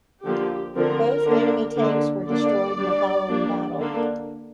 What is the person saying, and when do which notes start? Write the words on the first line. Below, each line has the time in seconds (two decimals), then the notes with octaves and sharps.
Both enemy tanks were destroyed in the following battle.
0.24 D3 F3 A#3 G4
0.76 D3 F3 C4 A#4
1.26 D3 A#3 D4
1.77 D3 A#3 D4
2.27 D3 A#3 D4 D5
2.78 G3 D4
3.29 G3 A#3 D4
3.78 D3 A#3 D4